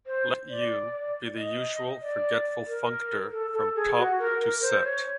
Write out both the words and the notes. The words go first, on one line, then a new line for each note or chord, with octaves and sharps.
Let "U" be the usual forgetful functor from Top to Set.
C5
D5
D#5
D5
A#4
A4
A4
G#4
F#4
A#4
A#4
C5
C#5